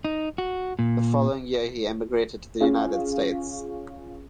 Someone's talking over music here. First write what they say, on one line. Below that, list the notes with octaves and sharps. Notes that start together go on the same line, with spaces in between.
The following year he emigrated to the United States.
D#4
F#4
A#2
C#4 F4 G#4